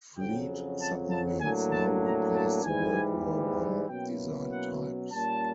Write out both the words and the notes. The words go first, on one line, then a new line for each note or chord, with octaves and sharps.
Fleet submarines now replaced the World War One-designed types.
F2 C#3 F#3 G5
A5
A5
A2 F#3 A#3 D4 G#5
A5
A#5
A5
G#2 E3 G3 G#5
B2 F#3 A#3 C#4 E4 G5
F#5
A#2 G3 A#3 C#4 A5